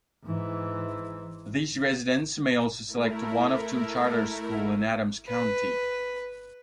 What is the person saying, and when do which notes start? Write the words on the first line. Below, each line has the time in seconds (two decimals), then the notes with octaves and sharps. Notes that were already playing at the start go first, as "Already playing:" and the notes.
These residents may also select one of two charter schools in Adams County.
0.23 G#2 E3
2.87 A3 E4 A#4
5.28 B4